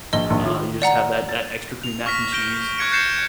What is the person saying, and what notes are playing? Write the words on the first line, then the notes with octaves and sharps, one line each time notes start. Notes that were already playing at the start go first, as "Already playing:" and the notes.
uh, you just have that that extra creamy mac and cheese,
A#1 D#5 G7
A#1 D#4
D#3 F4
D5 F#5 A#5
A6
F7
C#6 F6 A#6 B6
G6 A#6 D7 G7
C#6 F#6 G#6 C#7 D7
F#6 G6 A6 C7 C#7 E7